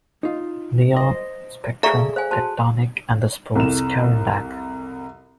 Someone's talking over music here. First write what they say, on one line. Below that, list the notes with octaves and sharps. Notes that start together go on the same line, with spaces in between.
Neon, Spectrum, Techtonic and the Sports Karandak.
D#4 F4
C5 D#5
G#4 A4 D5 E5 F5 G#5 A#5 C#6
C5 F5 G#5
F#4 C5 A5
C2 F2 E7